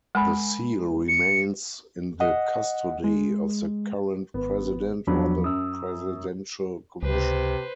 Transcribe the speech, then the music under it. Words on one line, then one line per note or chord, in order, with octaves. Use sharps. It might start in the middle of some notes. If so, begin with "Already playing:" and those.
The seal remains in the custody of the current President or the Presidential Commission.
G#3 A#4 G#5 B5
C#7
D#5 F#5
G#3
G#1 B3
E2 F3 F#3 D4 B5
F#2 D#6 E6
C#2 C3 B4 C5